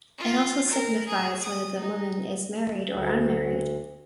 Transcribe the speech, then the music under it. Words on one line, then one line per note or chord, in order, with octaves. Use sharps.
It also signifies whether the woman is married or unmarried.
F4
A#4
G#4
D#6
D#4
D2